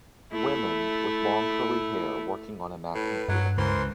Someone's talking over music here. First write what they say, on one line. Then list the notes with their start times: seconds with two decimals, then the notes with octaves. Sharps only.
Women with long curly hair working on a mac computer.
0.32 A3 E4
2.95 A2 B4
3.29 G2 F#3
3.58 C#2 E3 A#4 C5 C6